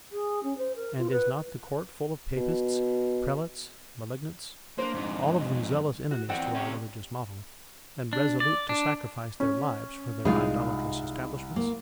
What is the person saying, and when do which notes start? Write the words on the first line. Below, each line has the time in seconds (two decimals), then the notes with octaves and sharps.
And is not the court full of Papists, prelates, malignants; all of them zealous enemies to our religious model, and resolute to sacrifice their lives for their idolatrous establishments?
0.11 G#4
0.43 C#4
0.58 C5
0.76 A#4
0.98 F4
1.10 B4
2.36 B2
4.78 A#3 D4 C5
4.95 F2 G#2
6.11 F#4
6.29 E2 C4 D5 F#5 G5
6.54 C3 C#4
8.13 D4
8.40 D5
8.69 D4
9.40 C#4
10.25 C2 G#3 D#4 F4
11.56 A#3